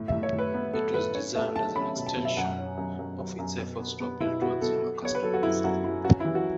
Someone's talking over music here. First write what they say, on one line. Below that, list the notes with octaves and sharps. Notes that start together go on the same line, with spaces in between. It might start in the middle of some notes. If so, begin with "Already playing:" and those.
It was designed as an extension of its efforts to appeal towards younger customers.
Already playing: A2
E5
A2
C#5
A2
B4
B3
B3 A4
A2 B4
C#4 C#5
A3 E5
A3 A5
C#4 B5
B2
A5
B2
E5
F#2 F#5
C#4
F#2
F#2
F#2
F#2
B2
B3
B3
B2 E4
B3 F#4
B3 A4
B3
B3 C#5
B4
F#3 A4
F#4
F#2 E4
F#2 F#4
F#3 E4
C#4 F#4
E4
E3
F#4